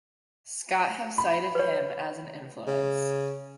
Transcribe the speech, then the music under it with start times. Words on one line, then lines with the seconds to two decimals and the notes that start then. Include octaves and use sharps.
Scott have cited him as an influence.
1.18 B5
1.55 B4 C#5
2.67 C#3